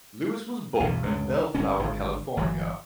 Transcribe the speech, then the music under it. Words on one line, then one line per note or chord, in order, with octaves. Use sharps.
Lewis was born in Bellflower, California.
B1 E2 G2 B2
C#2 F#2 D3
G1 C2 C#4
G#1 D3
G1 E3 F#3